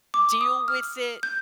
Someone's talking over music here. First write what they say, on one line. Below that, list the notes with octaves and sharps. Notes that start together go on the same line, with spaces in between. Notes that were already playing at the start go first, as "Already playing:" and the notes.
deal with it,
D6
D#6
F6
G6